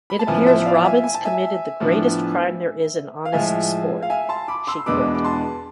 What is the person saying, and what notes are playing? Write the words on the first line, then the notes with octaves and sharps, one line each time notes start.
It appears Robbins committed the greatest crime there is in honest sport: she quit.
B5
A5
A1 A2 F3 B3 E5 G#5
C5 E5
D5 F5
E5 G#5
G#5
A5
E5 G#5
A2 F3 B3 D4
F5
A2 F3 G#3 E5 G#5
F5
E5 G#5
A5 C6
B5 D6
C6 E6
E2 B2 G#3 B3 D4 B5 D6
D6
A5 C6